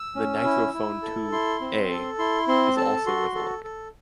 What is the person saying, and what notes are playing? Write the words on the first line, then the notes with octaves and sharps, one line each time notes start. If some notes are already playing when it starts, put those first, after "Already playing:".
The "NitroPhone two a" is also worth a look.
Already playing: E6
C#4
E4
E4
A4
E4 C6
C4
A4
E4 C6
C4 C6
A4 A5
F#4 C6
A4
A4